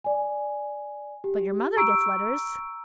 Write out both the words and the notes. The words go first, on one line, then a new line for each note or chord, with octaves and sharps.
"But your mother gets letters?"
D5 G#5
G4
A#5 C#6 E6 D7